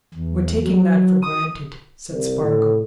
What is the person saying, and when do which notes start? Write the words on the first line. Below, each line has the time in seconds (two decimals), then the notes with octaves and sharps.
"We're taking that for granted," said Spargo.
0.14 E2
0.64 F#3
1.22 D#6
2.11 C2
2.43 A2